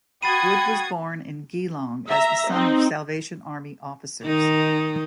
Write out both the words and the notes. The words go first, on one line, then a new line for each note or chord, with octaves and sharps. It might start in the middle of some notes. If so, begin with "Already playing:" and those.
Wood was born in Geelong as the son of Salvation Army officers.
F#4 G5 B5 D#6 G#6 A6 C7 D#7
E5 A#5
C4 D#4
D#3 D#4